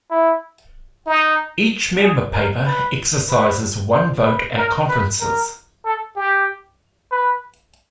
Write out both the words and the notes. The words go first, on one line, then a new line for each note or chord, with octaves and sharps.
Each member paper exercises one vote at conferences.
E4
D#4
G#4
A#4
B4
B4
C5
B4
A#4
B4
A#4
A4
G4
B4